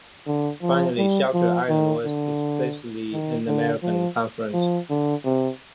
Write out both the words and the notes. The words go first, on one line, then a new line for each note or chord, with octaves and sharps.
Finally, Shelter Island was explicitly an American conference.
D3
F3
G3
F3
D#3
D3
D#3
D3
F3
F3
D3
C3